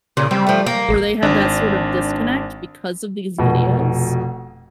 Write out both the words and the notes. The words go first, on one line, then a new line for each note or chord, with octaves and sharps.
where they have that sort of disconnect because of these videos
A#2 C#3
G3 C4
F3 A3
A#3
A1
G#1 D4
F1 B2